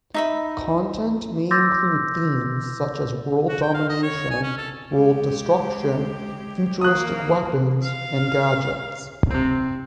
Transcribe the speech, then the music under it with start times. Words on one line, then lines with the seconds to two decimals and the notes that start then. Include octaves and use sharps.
Content may include themes such as world domination, world destruction, futuristic weapons, and gadgets.
0.14 D#4 E5 B5
1.51 C6 D6 E6 G6 A6 A#6
3.49 F#4
3.62 G5
3.74 F5
3.89 D#5
4.03 C#5
4.30 G#5
4.43 C#4
4.58 A4
4.93 G#3 G4
6.81 E3 A#3 D#6 F#6
7.83 F5
9.31 C3 C4